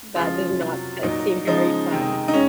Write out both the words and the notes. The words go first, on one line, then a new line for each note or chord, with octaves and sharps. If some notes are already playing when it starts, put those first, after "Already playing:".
That does not can't seem very fun.
C#3 F3 G#3 F4
C3 F#3
A#2 F#3 D#4
C#3 F3 G#3 D#4
C3 D#3 G#3
D#4
G#3 C#4